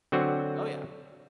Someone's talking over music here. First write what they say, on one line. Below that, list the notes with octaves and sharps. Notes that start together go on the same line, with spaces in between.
Oh, yeah.
D3 F#3 C4 F#4